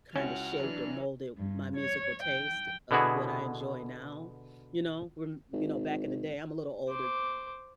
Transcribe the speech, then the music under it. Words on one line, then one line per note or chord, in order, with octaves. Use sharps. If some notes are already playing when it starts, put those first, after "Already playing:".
kinda shaped, or molded, my musical taste of what I enjoy now, you know? When you know, back in the day I'm a little older
C#2 C#4 E4 F#4 F6 F#6 E7
E3 F#3 D4
G2
C#5
G5
B2 D3 B3 E4 F#4 G#4
G#1
C5 D6